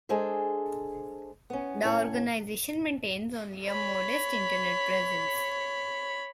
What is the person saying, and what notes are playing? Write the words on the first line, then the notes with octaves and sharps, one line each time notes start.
The organization maintains only a modest internet presence.
G#3 D4 G#4 A4 C5
B3 C#4
A2 C#4 C#5
C#5 B5